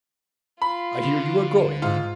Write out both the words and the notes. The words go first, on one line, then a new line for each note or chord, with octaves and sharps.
I hear you are going.
F4 B5
D3
G#2 F4